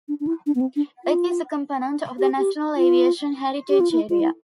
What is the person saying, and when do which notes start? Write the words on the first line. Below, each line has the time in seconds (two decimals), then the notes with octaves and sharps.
It is a component of the National Aviation Heritage Area.
0.08 D4
0.20 D4
0.27 E4
0.46 D4
0.55 B3
0.61 C4
0.76 D4
1.05 F4
2.19 G4
2.38 G4
2.77 F4
3.69 G4
3.80 F4
3.91 E4
4.10 F4
4.20 E4